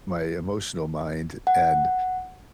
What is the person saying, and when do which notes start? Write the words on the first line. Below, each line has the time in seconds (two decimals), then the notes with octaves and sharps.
my emotional mind, and
1.47 F#5